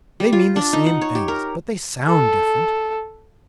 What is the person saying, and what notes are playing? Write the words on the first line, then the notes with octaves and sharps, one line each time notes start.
They mean the same things, but they sound different.
G3
F4
D4
D#4
F#5
C#5
G4
A#4
A4